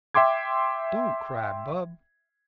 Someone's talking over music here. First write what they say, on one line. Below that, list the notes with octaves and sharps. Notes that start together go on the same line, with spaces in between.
Don't cry, bub.
E5 G5 C6 D6 G#6